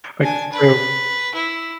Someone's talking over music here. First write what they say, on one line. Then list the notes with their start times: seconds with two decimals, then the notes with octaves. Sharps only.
Like, so
0.22 D4 G#5
0.52 B4
1.34 E4